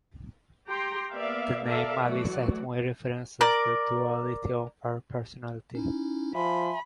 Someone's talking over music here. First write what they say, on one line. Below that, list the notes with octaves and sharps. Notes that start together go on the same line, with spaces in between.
The name "Alice et Moi" references the duality of her personality.
G4 G5 A#5 C6
A#3 B3 D5 E5 F5
A4 A#4 D5 E5 F5 A5
E3 F#3 A3 F#4 D5
A#4 D5
C#4 D#4 E4
F3 E5 G#5 B5 C6